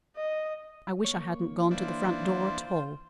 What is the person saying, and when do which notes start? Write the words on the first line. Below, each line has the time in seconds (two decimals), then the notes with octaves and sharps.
I wish I hadn't gone to the front door at all.
0.16 D#5
1.05 A#3 C#5
1.71 E3 D4 F4 C5